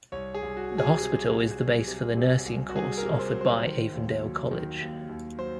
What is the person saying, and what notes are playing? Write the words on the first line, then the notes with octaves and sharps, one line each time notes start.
The hospital is the base for the nursing course offered by Avondale College.
C2 C#5
G#4
C2
F#4
F#3
G#4
C3
C2
F#3
C3
C3
C2
F#4
C2 G#4
A#4
C3
C5
F#3
C5
D#3
D#2
F#3
D#3
D#2
D#2
F#3 C5